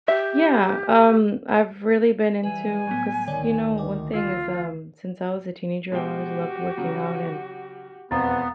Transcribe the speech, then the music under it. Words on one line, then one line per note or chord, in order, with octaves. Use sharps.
Yeah, um, I've really been into 'cause, you know, one thing is, um, since I was a teenager, I've always loved working out and
G4 E5
E3 G3 B4 G#5
A2 F#3 G3 B3
D2 D3 D#3 C#5 D5
D#5 G#5 D6
F4 E6 G#6 C7
B2 G#3 F#4 G4 G5
C#3 F#3
E1 F2 B3 C4 F5 A#5 A6